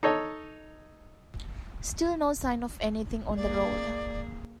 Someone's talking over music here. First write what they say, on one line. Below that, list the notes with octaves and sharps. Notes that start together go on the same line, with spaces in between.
Still no sign of anything on the road.
D#4 A4 C#5 D#5
A#3 G#4 D5